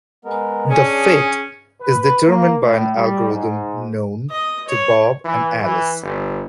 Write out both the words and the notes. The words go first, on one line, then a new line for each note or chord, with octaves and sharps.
The "fit" is determined by an algorithm "known" to Bob and Alice.
G#3 B3 A#4
C#4 D4 G#4 C#5
B4
A#3
A2
G3
G#2
D#5
C#5
E3
E3
G1